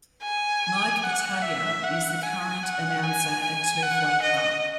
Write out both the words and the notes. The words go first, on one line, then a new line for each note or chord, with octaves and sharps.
Mike Battaglia is the current announcer at Turfway Park.
G#5
F#5
E5
F#5
G#5
F#5
G#5
G#5
F#5
D#5